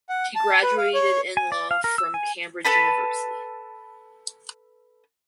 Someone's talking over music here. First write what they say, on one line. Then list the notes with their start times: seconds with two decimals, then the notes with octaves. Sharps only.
She graduated in law from Cambridge University.
0.09 F#5
0.36 A5
0.62 B4
0.78 F5
0.94 C#5
1.37 G#5
1.52 D5
1.71 F5
1.84 A#4
1.98 E6
2.14 G#5
2.65 A4 B4 A5 B5